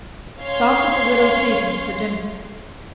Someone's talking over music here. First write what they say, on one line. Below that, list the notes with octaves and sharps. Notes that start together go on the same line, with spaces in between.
Stop at the Widow Steavens's for dinner.
C#4 C#5 F5 C6